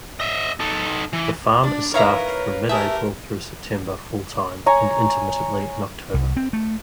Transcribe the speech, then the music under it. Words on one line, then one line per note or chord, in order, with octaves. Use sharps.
The farm is staffed from mid-April through September full-time, and intermittently in October.
D#5 E5
D#4 A4
E3
D4 D5
D#4 E4 A#4 B4 C#5 E5 F5 A#5
A3 G4 G#4 A#4 E5
C#5 G#5 A#5
C2
C4
A3